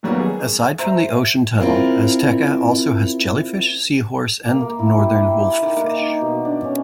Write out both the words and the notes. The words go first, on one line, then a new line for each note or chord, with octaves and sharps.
Aside from the Ocean Tunnel, Azteca also has jellyfish, seahorse and northern wolffish.
D#3 F#3 G3 A#3 B3
G#4
C5 E5 A#5
C4 E4 F4 A#4
A#3
A#3
E4
G4
G5
G4
D#3
A#3
D#4
B2
D4
C#4